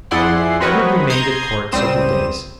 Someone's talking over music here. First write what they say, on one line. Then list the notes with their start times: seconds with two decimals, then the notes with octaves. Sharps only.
Edward remained at court several days.
0.11 F2 E4 G#4 D5 F#5 C6
0.60 C4 F#4 A#4 B4 C#5 D#5
1.10 A#5 C6 D#6 G6 G#6
1.72 C#2 G3 C4 D#6 E7